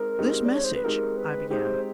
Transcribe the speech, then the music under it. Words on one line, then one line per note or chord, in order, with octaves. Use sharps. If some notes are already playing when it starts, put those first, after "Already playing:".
"This message," I began...
Already playing: G#3 C4 D#4 A#4
G#3 C4 D#4 G4
D5
C#5
C5
B4
G#3 C4 D#4 G4 A#4
B4
G#3 C4 D#4 G4 C5